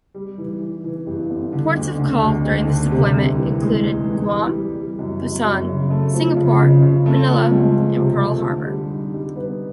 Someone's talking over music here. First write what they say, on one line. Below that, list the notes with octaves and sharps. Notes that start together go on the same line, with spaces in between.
Ports of call during this deployment included Guam, Busan, Singapore, Manila and Pearl Harbor.
G3
E3
E3
E3
G2
G1
D3
D2
D3
D2
D2
D3
C3
C2
E3
G#3
G#3
E3
G3
G3
G3
F#2
F#2
F#2
C#3
A3
F3
C#3
C#3
C#3
A3
F3
C#2
F3
C3
A3
D3
G3
D#4
G3
B3